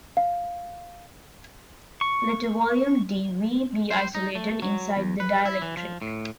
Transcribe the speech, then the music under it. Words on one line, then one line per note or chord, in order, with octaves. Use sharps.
Let a volume d"V" be isolated inside the dielectric.
F5
C#6
C5
D#4
A3
F#3
E2
B4
E4
E3
F3
A2